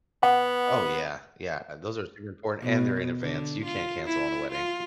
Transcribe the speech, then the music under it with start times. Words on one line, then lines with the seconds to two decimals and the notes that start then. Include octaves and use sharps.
Oh, yeah, yeah. Those are super important and they're in advance. You can't cancel on a wedding.
0.23 B3 F#5
2.61 B2
3.22 D3
3.64 F4
4.05 E4
4.52 F4